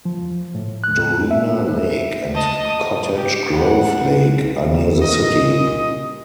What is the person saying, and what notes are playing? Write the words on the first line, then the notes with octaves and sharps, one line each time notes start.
Dorena Lake and Cottage Grove Lake are near the city.
F3
A2
F#6
E5
D#5 A5
D#6
G4
F#5
A#2 D#5